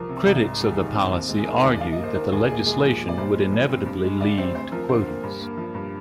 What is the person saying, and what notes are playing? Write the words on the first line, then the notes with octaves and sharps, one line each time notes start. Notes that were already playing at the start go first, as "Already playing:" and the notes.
Critics of the policy argued that the legislation would inevitably lead to quotas.
Already playing: C2 F3 A#4
C3
C2
G#2
G3
G#4
D#3
C4
D#2
G#3
G#4
D#3 A#4
D#2 D5
D#2 F5
D#5
A#3
C5
D#3 A#4
D#2 G#4
A#2 G#4
G#3 G#4
F3
A#2
D5
G2 C5
G#3
F3
C4
G2
G#3
D3 D5
C4 C5
D2 C5
F3 A#4
D3 C5
A#3
G2
A#3
F3
G2